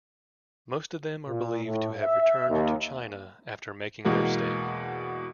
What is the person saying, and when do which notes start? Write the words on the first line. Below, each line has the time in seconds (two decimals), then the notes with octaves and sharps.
Most of them are believed to have returned to China after making their stake.
1.27 A#2
1.65 A2
2.01 E5
2.48 D#2
4.05 E2 B2 E3 G#3 A#3